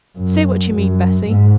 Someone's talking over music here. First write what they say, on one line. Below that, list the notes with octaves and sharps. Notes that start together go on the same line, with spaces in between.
"Say what you mean, Bessy."
F#2
F#2
G#2